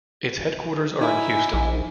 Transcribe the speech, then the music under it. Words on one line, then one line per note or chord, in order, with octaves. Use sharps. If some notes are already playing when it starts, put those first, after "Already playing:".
Its headquarters are in Houston.
D#4 E4 G#5
A#1